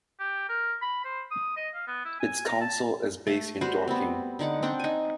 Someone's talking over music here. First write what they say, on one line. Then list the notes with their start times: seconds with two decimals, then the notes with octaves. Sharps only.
Its council is based in Dorking.
0.20 G4
0.49 A#4
0.82 B5
1.04 C5
1.31 D#6
1.56 D#5
1.74 F5
1.87 B3
2.05 E4
2.20 G#5
2.46 A#5
2.61 A5
3.27 A3
3.61 G3 F#4 B4 C5
3.88 B3 C4
4.39 D3 D#4 D5 F#5
4.63 C4 D4 F#5 G5
4.80 D#4 G#5